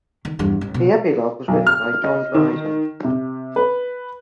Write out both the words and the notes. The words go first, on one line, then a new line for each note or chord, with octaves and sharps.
The epilogue was written by John Dryden.
D#3
E2 G2
A1
B2
B1
F6
D#5
D#3
C3
B4